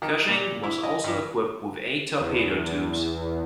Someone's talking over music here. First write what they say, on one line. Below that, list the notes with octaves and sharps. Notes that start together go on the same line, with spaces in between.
"Cushing" was also equipped with eight torpedo tubes.
D#3
A#2
E4
D#5
G2
E2